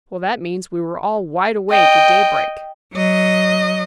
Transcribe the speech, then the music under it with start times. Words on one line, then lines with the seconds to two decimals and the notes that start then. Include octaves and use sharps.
"Well, that means we were all wide awake at daybreak."
1.71 D#5 G5
2.94 F#3 D#5